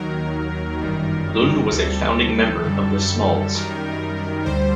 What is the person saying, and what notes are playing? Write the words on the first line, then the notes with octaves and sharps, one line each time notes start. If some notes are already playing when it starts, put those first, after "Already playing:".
Lund was a founding member of the smalls.
Already playing: D#2 D#3 F#3 A#4
G1 F#2 D#3 G3
D2 C3 G3 A4
F#2 D3 G3
F#2 D#3 G3 A#4
D2 D3 G3 C5